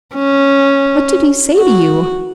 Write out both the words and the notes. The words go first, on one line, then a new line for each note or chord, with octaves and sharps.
"What did he say to you?"
C#4
F#4